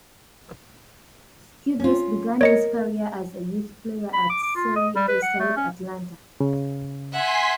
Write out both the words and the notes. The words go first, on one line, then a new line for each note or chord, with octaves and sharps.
Hughes began his career as a youth player at Serie A side Atalanta.
C#4 F4
A#4 C#5 D#5 C#7
B5
D6
D6
F4
D#5
G3
B4
F#5
A3
C#4
C#3
E5 F#5 G#5 C6 B6